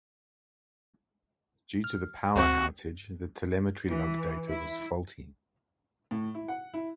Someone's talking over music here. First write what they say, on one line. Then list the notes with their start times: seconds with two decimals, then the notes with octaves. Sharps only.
Due to the power outage, the telemetry log data was faulty.
1.84 F6
2.36 D2 C4 F#4
3.90 E3
4.47 E4
6.11 A2
6.35 E4
6.48 F#5
6.74 E4